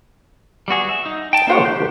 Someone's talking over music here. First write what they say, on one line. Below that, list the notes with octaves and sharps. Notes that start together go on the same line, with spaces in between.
Oh, cool.
G3 B3 F#4 G#4
E5
D#4
G5 A5
A#3 D#4 C5 C#5
G4 F#6 G6